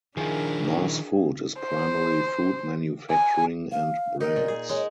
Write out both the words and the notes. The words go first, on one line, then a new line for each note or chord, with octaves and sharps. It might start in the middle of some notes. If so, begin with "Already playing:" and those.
Mars Food is primarily food manufacturing and brands.
D#3 F3 D4 E4 G#4 A#4
C5
G#5
F5
D#4 A#4
A#2
G#4
G#3 C#5